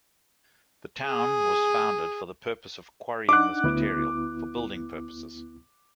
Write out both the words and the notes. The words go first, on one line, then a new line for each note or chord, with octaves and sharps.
The town was founded for the purpose of quarrying this material, for building purposes.
G#4
D4 D#4 F#5 D6 F#6
D2 B3 E4